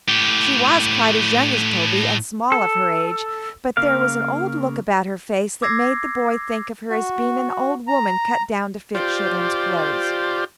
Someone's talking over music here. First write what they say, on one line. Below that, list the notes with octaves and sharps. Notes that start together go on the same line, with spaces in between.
She was quite as young as Toby, and small of her age; but there was an old look about her face that made the boy think of her as being an old woman cut down to fit children's clothes.
A2 G4
A4
C#3 A#3 A#4 F5
D6 E6 G#6 A#6 C7
F#4
A#5
F4 G4 C5 D5